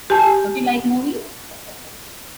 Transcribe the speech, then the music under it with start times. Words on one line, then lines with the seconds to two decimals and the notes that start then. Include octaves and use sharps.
Don't you like movies?
0.10 G4 G#5 A5